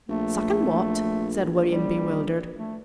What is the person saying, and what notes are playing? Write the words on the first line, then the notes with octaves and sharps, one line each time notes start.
"Suckin' wot?" said William, bewildered.
A#1 A3
G3
A3